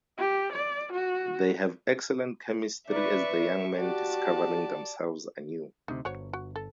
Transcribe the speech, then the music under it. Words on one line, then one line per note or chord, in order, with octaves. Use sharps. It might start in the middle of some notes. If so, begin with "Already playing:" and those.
They have excellent chemistry as the young men discovering themselves anew.
G4
D5
F#4
B4 D5 E5 C#6
F#4 G4 D5 A5
D2 C3 D#4
G1 F#4 C5 C#5
F#4
A4